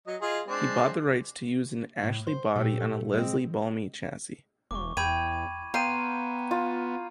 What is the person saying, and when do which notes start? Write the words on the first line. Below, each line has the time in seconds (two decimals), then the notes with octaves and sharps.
He bought the rights to use an Ashley body on a Leslie Ballamy chassis.
0.07 F#3 D#5
0.21 F4 G#4 D#5
0.47 G#3 C4 D4
2.03 A2
2.27 C5
2.56 A#2 A3 G4
3.13 G#3 C4
4.71 E1 C#6 D6
4.97 E2 G5 B5 G#6 D#7
5.74 B3 F5 G5 A#5 C6 D#7
6.51 F4